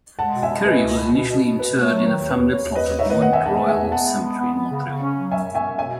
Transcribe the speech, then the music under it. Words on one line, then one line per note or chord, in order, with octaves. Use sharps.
Currie was initially interred in a family plot at Mount Royal Cemetery in Montreal.
G#3 F#5 A5
B2
E5 G#5
B2
B2 B4 D#5
C#2
B2
B2
B2
B2
B2 B4
A3
C#5
F#3
D#3 C#5
D#2
B4
D#2
D#2 C#5
D#2
B4 D#5
D#2
D#4 C#5 E5
B4 D#5
D#3
D#5 F#5
D#3 E5 G#5
E2 F#5 A5
A3
E5 G#5
E2
B3 F#5 A5
G#3
B3
B3
B3
C#3
C#3
C#4
F#3
F#2 E5 G#5
C#4
E5 G#5
F#2
B2 E5 G#5